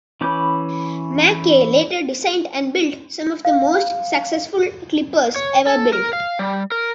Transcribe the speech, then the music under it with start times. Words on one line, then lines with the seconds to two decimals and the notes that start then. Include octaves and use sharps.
McKay later designed and built some of the most successful clippers ever built.
0.21 E3 C#4 B5 D6 G6
3.45 F5
5.36 C#5
5.67 A4
5.93 A#4
6.13 F5
6.39 G3
6.72 A#4